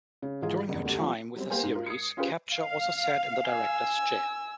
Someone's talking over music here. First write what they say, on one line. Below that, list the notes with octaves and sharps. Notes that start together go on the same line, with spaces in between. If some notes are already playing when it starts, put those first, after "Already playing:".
During her time with the series, Kapture also sat in the director's chair.
C#3
G#2 D#3 E3 F4 G#4
F#1 E2 G2
D2 G4
F3 G3 B3
F#3 G3 C4
A#3 B3 G4 C5 F5 G#5
G#2
F4 A#4
D#6 G#6 C7 C#7
C#4 F4 G4 G#4 B4 C5
F5
G#5 E6